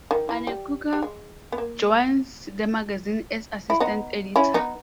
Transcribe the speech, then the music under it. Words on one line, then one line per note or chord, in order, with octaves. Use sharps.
Anne Coker joins the magazine as Assistant Editor.
D#3
E3
G3
G3
G#3
B3
A#3
E4
B3 D#4
C#4 E4
B3 D#4